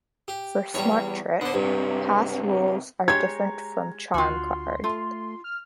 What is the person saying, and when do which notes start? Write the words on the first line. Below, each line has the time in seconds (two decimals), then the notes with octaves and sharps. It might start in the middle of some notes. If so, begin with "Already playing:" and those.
For SmarTrip, pass rules are different from CharmCard.
0.28 G4
0.74 E2 G3 C#5
1.41 D3 B3 C5
1.54 C#2 G2 C3
3.08 G#3 G4 C#5 A#5 G#6
4.14 D2 F4 F#4 C6
4.84 A3 F4
5.44 F6